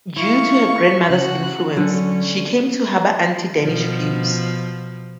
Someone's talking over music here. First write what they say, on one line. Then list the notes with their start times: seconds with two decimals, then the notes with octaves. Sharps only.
Due to her grandmother's influence, she came to harbor anti-Danish views.
0.16 E4 F5 C#6
1.10 C#3 F#4 F#6
1.77 D3 F#3 C#4
3.61 B2 F3